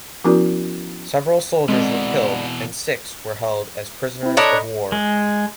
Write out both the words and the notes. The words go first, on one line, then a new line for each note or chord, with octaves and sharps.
Several soldiers were killed and six were held as prisoners of war.
F3 B3 C#4 E4 F#4 A#4
B2 D3 E3 G#3 C4 D#4
C4 E4
D4 A4 A#4 C#5 D#5 B5
G#3